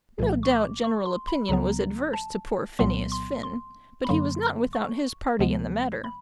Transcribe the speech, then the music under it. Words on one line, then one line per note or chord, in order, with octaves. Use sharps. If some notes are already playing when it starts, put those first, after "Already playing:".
No doubt general opinion was adverse to poor Phineas Finn, but he was not without his party in the matter.
C2 A#2 F3 A3
C#6
D6
C#6
C6
B5
C#2 C#3 F#3 B3 A#5
A5
C2 A#2 F#3 B3 C6
C6
C6
B5
F#2 D3 F#3 A#3 C6
C#6
D2 C3 F3 G#3 B3
B5